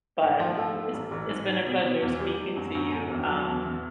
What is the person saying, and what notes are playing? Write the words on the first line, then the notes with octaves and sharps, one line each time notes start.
But, it's it's been a pleasure speaking to you. Um,
G#2
F3
A3
A3
A1
A1
G#2
G#2
B2
B2
E2
G3
D#3
F#2
F#2
F#2
E2
F#3
E2
E2